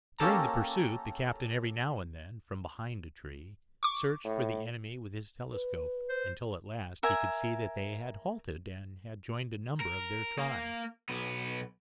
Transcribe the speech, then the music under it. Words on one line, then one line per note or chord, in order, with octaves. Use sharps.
During the pursuit the captain every now and then, from behind a tree, searched for the enemy with his telescope, until at last he could see that they had halted, and had joined a number of their tribe.
A#3 C#4 G4 A4 A5 A#5
C#6 D6
A2
B4
C5
A#4 E5 G#5
A#4
A#3
B1 B3